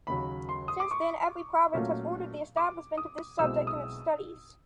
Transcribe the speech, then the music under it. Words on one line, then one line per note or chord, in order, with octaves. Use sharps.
Since then, every province has ordered the establishment of this subject in its studies.
D#2 C#3 F#3 B5
C6
D#6
D6
C#6
A#2 F#3 A3 C#4 F4
D6
D#6
B1 B2 G#3 C4 E4 E6
D#6